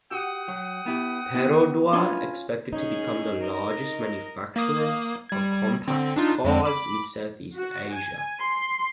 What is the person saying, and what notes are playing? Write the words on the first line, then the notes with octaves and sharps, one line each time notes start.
Perodua expected to become the largest manufacturer of compact cars in South-East Asia.
F#4 G4 F#5 G5 D#6
F#3
B3 E4 G4
B3 E4 G4
C#4 D4 E4 F4 B4 G#5
C#4 D#4 G#4
A#4 D#5
A#3 D#6
G3 G#6
D3 C4
D4 D#4 F4
F2 G#3 C4
B5 D6
F#4
G#5
C6